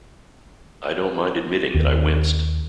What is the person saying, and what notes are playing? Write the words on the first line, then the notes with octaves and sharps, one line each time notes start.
I don't mind admitting that I winced.
D#2